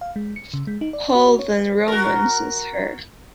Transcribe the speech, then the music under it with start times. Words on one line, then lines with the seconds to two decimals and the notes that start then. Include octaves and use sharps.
Hall then romances her.
0.01 F5
0.16 G#3
0.36 C#7
0.54 C#3
0.67 G#3
0.81 D#4
0.93 D5
1.15 F#4
1.27 F#4
1.39 C#5
1.88 F#4 A#4